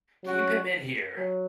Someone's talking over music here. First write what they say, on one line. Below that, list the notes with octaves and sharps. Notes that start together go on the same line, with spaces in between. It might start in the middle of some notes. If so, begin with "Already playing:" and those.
Keep him in here!
F#3 C#4 F#4
F#3